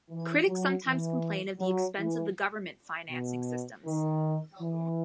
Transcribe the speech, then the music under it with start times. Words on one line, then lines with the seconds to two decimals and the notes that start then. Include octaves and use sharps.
Critics sometimes complain of the expense of the government financing systems.
0.10 E3
0.48 F#3
0.86 E3
1.60 F#3
1.98 E3
3.11 B2
3.85 D#3
4.60 E3